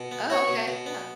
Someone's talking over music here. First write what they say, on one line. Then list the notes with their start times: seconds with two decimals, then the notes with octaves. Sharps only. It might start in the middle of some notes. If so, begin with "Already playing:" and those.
Oh, okay, yeah.
Already playing: B2
0.12 B3
0.30 F#4 C#5
0.48 B2
0.68 B2
0.86 B3